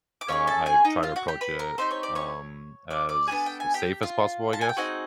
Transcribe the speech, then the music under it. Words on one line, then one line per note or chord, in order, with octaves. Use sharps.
uh, I've tried to approach it, um, as safe as possible, I guess.
D6
C#4 F4 G#4 C#5 C#6
A4 A5
G#4 G#5
D#4 D#5
F4 F5
F#4 F#5
G4 G5
B4 B5
A#4 A#5
C4 D#4 G4 C5 C6
C#5 C#6
D5 D6
C#5 C#6
D5 D6
D5 D6
B3 D4 F#4 G#4 A4 G#5
G5
G#5
G4 G5
F4 F5
A5
G#5
G5
C4 D#4 F#4 G#4 F#5